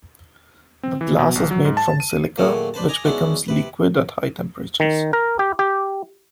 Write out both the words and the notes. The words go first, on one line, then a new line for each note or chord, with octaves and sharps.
The glass is made from silica, which becomes liquid at high temperatures.
C4
E3
B2
A#1
F#3
G#2
A5
D#7
A#2 D#3 F#3 A3 F#4 G#4
D4 B4 C5 A5
D#5 G#5 A#5 D6
G#3 B3 C#4 D4 E4 F#4
C3 B4
D#3
A#4
G4
G4